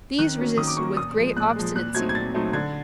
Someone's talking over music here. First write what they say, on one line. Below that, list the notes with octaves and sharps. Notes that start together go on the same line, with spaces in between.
These resisted with great obstinacy.
D#3 F#6
F#3 A#3 C#4
D#3 D#6
D6
F#3 A#3 C#4 C#6
A#2 D#6
F3 G#3
A#2 F#6
F3 G#3
A#2 F#6
F#3 A3 C4 D#4 G#6
G#6
A#2 A6
F#3 A3 C4 D#4
D3 G#6